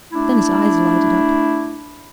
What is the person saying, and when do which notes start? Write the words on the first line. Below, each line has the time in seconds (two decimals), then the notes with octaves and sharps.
Then his eyes lighted up.
0.13 A3 D4 E4